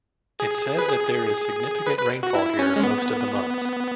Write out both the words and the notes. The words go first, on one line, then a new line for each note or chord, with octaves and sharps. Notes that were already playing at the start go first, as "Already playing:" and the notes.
It said that there is significant rainfall here most of the months.
G#4
B4
G#4
B4
B4
F#4
E4
C#4
G#3
B3